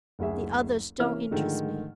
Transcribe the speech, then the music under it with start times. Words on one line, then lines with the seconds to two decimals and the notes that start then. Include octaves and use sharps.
"The others don't interest me."
0.19 F#1 D2 G#4 E5
0.99 C3 E3 A#3 C#4 E5 F6
1.31 G#2 D3 D#3 F3 G#3 A3